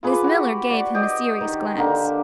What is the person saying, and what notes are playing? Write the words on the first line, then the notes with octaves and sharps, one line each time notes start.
Miss Miller gave him a serious glance.
F4 G#4 B4 D6
F#4 G4
C#5 D5
G4 D#5
D#3
D3 A#3